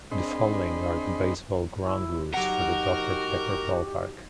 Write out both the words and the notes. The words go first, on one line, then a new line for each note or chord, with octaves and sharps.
The following are the baseball ground rules for the Doctor Pepper Ballpark.
C4 D4 G#4 D#5 B5 C6
E4
F#3 D#4 F#4 G4 A#4 F#5